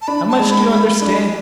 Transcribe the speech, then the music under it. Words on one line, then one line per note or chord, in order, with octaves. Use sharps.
How much do you understand?
A5
D4 B5
A5
G#3
B5
G#3 B5
D4